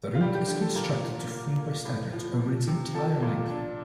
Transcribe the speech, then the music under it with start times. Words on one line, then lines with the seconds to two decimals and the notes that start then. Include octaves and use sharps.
The route is constructed to freeway standards over its entire length.
0.15 F4
0.21 G3 G4
0.35 G4
0.48 D3 G4
0.61 A4
0.75 A#2 A#4
1.03 A#2
1.30 A#3
1.58 A#3
1.85 A2
2.13 F3
2.39 F3
2.67 C3
2.94 F3 A4
3.22 A#2
3.49 D4